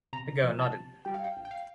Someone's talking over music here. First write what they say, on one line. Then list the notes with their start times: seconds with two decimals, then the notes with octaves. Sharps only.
The girl nodded.
0.13 C3 A#5
0.43 F3
0.59 A5
0.74 C3
1.05 G3 G5
1.14 F5
1.24 G5
1.37 A#1
1.45 G5
1.51 F5